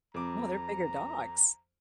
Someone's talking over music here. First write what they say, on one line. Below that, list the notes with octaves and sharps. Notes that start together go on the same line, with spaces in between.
Wow, they're bigger dogs.
F2 A#5 D6